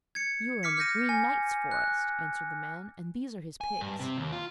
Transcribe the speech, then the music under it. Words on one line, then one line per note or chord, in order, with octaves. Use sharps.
'You are in the Green Knight's forest,' answered the man, 'and these are his pigs.'
G#6 C#7
D6 F6 B6 C#7
F6 G6 A#6 D#7
G#5
F#6
G#5
G2
C3
D#2
F4